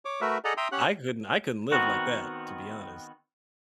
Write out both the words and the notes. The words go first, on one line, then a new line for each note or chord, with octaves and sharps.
I couldn't I couldn't live like that, to be honest.
C#5 D6
A3 F#4 A#4 B4 E5
G#4 A4 D5 D#5 F#5 A#5
E5 G5 A#5 C6 D#6
C#4 G4 C#5 F#5 F#6
D#3 B3 C4 F#4